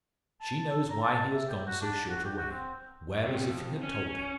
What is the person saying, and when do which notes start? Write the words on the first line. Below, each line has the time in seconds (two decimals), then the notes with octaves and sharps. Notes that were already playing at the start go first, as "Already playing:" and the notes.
She knows why he has gone so short away,--well as if he had told her.
0.41 A5
0.71 A4
0.90 A#5
1.02 A5
1.33 E5
1.48 G4
1.67 F#4
1.82 D4
2.10 F#4
2.25 G4
2.38 F#4
2.51 C4
3.24 D#2 C3
3.45 F2
3.83 C#4